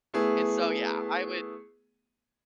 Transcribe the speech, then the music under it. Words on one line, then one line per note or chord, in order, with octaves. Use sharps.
and so, yeah, I would
A3 B3 E4 G#4